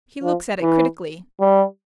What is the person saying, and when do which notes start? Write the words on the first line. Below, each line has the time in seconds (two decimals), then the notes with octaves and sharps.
He looks at it critically.
0.23 F3
0.62 E3
1.40 G3